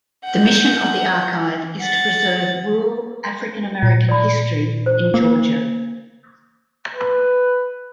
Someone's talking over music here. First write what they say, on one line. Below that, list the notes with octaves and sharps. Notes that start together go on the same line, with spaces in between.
The mission of the archive is to preserve rural African American history in Georgia.
F#5 G6
F#5 A6
A#2
D5 B5
C5
A#3 A#4
B4